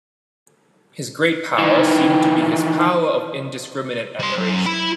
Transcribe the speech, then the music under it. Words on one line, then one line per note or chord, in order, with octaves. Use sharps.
His great power seemed to be his power of indiscriminate admiration.
D#3 E3
G3 C6
F#2
E4 B5